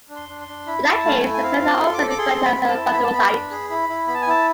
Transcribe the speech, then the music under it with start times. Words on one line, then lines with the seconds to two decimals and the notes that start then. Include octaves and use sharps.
In that case the cells are also referred to as "vanadocytes".
0.09 D4
0.16 C6
0.29 D4
0.41 C6
0.48 D4
0.67 E4 B5
0.86 E4
0.92 A5
1.05 A3 F5
1.17 G#5
1.23 E4
1.34 G#5
1.42 C4 F5
1.62 F4
1.67 C6
1.80 A4
1.93 D6
1.99 A4
2.10 D6
2.18 G#4 C6
2.37 C4
2.44 B5
2.56 C4
2.69 A5
2.75 E4
2.93 B3 B5
3.04 A5
3.13 B3 B5
3.32 D4
3.51 G#4
3.70 E4 B5
3.89 E4
4.07 B3 B5
4.14 A5
4.22 G#5
4.27 E4 A5